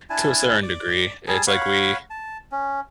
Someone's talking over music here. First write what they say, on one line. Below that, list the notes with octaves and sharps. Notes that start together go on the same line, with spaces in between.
To a certain degree, it's like we
D4 E4 G#5 A5
D5
G3 G#4 G#5 A5
C#5 F5 F#5 B5
A5
C#4